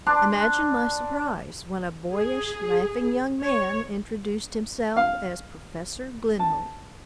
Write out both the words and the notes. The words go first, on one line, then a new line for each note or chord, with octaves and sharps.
Imagine my surprise when a boyish, laughing young man introduced himself as Professor Glenholdt.
D4 C6
G#4
C#5
F5
A5